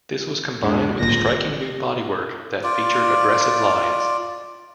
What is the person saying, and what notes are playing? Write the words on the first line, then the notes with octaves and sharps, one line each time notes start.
This was combined with striking new bodywork that featured aggressive lines.
E2 G#2 G#3 D4
D1 G#1 D2 A#2 F4 A#6
F4 D5